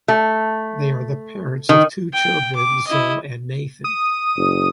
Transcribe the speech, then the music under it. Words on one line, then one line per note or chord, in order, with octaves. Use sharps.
They are the parents of two children, Zoe and Nathan.
A3
D#3
G5
D6
E4 D#5
D#6
F#1